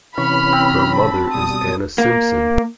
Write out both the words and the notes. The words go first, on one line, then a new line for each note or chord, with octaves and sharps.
Her mother is Anna Simpson.
C3 E3 C#4 B5 C#6 F6
C4
A5
B2 G3 D#6
A#3